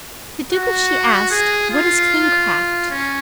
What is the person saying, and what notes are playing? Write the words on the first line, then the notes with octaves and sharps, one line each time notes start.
The Duke of She asked, What is kingcraft?
F#4
G#4
F4
C#4